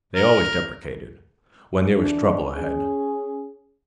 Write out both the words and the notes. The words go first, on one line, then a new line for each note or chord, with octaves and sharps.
They always deprecated, when there was trouble ahead.
A#4
E3 D4
C#4 G#4